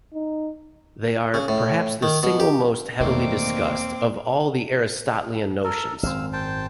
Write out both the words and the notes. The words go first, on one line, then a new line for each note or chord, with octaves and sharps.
They are "perhaps the single most heavily discussed of all Aristotelian notions".
D#4
C#3
A2
D#3
B2
G4
E2 G2 B2 D#3 A3 A#3 C4 D6
A4 A#4
G#1 F#2 C4 F5 E6
C5 G5 A5